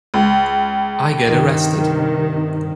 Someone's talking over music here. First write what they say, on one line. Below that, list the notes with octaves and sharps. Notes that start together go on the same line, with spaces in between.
I get arrested.
C#2
G2 C3 D#3